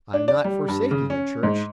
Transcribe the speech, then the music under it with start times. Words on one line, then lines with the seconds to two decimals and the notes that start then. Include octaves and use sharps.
I am not forsaking the Church.
0.14 D4
0.28 D5
0.45 G3
0.68 G2
0.91 C#3
1.10 C#4
1.43 G#2